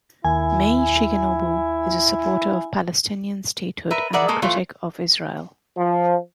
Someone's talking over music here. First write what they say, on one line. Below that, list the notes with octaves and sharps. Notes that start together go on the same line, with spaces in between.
Mei Shigenobu is a supporter of Palestinian statehood and a critic of Israel.
D#2 E4 G#5
A#4 B4 E5
G#4 A#4 D5 E5 F#5
G#3 A#3 A4 D#5
E3 A3 F4 C5
F3